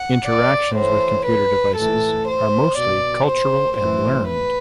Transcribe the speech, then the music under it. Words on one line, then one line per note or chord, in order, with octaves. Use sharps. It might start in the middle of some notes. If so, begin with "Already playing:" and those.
Interactions with computer devices are mostly cultural and learned.
Already playing: F#5
D5
A2 E3 C5
B4
A2 E3 A4
C5
B2 D5
C5
A2 E3 C5
B4